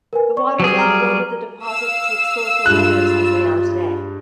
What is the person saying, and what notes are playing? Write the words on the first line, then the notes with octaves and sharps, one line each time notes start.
The water then eroded the deposits to expose the layers as they are today.
A#4 B4 G#5
D5 C#6
F#3 G3 G#4
A#5 F6
F5 E6
G2 G#3 F4 F#6